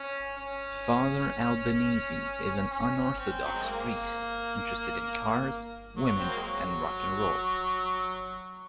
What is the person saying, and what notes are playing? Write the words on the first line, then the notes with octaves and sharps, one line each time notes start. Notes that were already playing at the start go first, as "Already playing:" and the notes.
Father Albinizi is an unorthodox priest, interested in cars, women and Rock and Roll.
Already playing: C#4
C#4
C#4
C4
F#3
G#3
A#3
F#3
C4
A#3
G#3
F#3